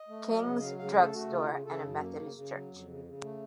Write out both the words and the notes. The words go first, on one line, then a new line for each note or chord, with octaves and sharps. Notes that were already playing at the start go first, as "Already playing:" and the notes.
King's drug store, and a Methodist church.
Already playing: D#5
A3
F#3
C#3
F#3 F5
C#3 F5
A3 A4
A3 F#4
C#3 F4
C#3
C#3 A4
F#2
A#3
C#3
C#3
F#3
F2
C#3
C#3
A3